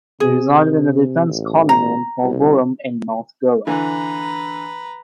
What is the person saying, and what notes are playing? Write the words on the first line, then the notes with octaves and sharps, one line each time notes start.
He resided in the Defence Colony in Porvorim in North Goa.
C3 G#4
A1
A#5
C2
D3 E3 B4 A#5